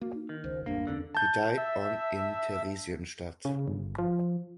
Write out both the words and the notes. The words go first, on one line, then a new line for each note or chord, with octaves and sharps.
He died on in Theresienstadt.
A#3 F#4
D#4
D#3
E1 C#2 C5
G#1 E2 G2 A#3 D4
E2 D3 C4 C#4
A5 G6
E5
C#3
G1
F3